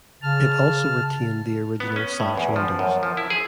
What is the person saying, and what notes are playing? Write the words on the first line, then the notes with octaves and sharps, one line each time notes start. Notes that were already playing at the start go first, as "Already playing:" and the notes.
It also retained the original sash windows.
C#3 A5 F6
B3
C#4
A2
E2
F3
F#2
F3
E4
G#4